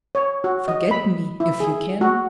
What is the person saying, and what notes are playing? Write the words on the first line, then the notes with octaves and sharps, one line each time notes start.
Forget me if you can!
C#5
F#4
D#5
B5
E4
G#4
F#4